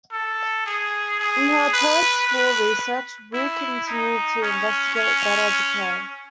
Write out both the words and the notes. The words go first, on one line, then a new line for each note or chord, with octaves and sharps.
In her post-war research, Wu continued to investigate beta decay.
A4
G#4
G#4
B4
B4
E4
D#4
C#4
C#4